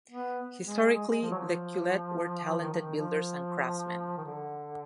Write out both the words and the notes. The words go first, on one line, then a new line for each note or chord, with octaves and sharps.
Historically the Quileute were talented builders and craftsmen.
B3
G#3
G#3
G#3
F3
F#3
F3
D#3
F3
D#3
F3
D#3
D3